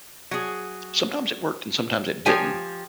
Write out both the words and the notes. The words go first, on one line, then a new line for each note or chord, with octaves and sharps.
sometimes it worked, and sometimes it didn't.
F#3 G#4
F3 G4 C#5 G#5